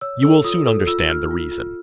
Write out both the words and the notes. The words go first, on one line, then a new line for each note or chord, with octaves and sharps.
You will soon understand the reason.
C#5 E6
A4 E6
F4 D#6
A4
F4 E6
F4 F6
F4
F4